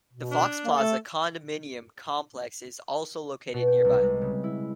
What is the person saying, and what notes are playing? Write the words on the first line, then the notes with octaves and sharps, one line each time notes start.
The Fox Plaza condominium complex is also located nearby.
B2
D4
A#3
A3 A4
B2
G5
C2
G#3
C#3
E4